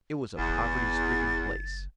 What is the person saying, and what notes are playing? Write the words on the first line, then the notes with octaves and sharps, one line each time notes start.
It was a poverty stricken place.
F#1 E2 A6